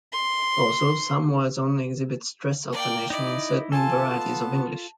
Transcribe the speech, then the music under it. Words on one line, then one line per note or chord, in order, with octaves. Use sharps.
Also, some words only exhibit stress alternation in certain varieties of English.
C6
A#3 D5 G5
D#4 E4 D5 D#5
F4 A4 G#5 A5
B3